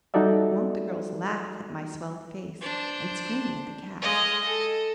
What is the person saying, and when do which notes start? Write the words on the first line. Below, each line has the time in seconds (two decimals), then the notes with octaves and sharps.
Won't the girls laugh at my swelled face, and scream at the cat.
0.14 G3 D#4 F#4 A4 D5 E5
2.62 D4 C5
4.02 G#3 D#5 F5
4.43 A4